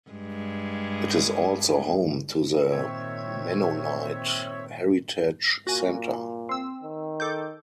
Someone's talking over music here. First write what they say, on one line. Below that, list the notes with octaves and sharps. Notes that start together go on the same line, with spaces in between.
It is also home to the Mennonite Heritage Center.
G2 G#3
A#2 D#3 C4 C#5 E5
A#2 F#4 G#5
C4 E6
D#3
A4 D6 G6